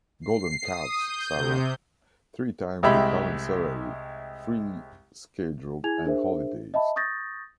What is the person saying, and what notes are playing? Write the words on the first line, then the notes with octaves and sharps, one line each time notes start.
Golden cuffs, Sara. Three times your current salary, free schedule and holidays.
C7
D#6
G6
C3
C2 G#3 G4 E5 B5
E4 G#4 G#5 G#6 F7
D4 G#4 A#4 C5 E5
D#5 E5 A5 B5
C#6 D#6 G6 A6 A#6